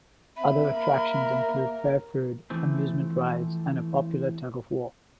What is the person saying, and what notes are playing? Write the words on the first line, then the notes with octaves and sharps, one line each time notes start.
Other attractions include fair food, amusement rides, and a popular tug-of-war.
C4 E5 B5
A#3 A#4
E3 F3 A3 C4